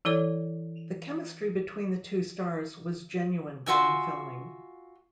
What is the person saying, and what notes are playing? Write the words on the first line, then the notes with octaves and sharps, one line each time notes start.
The chemistry between the two stars was genuine during filming.
E3 E4 A4 C#5
F4 F#4 E5 G#5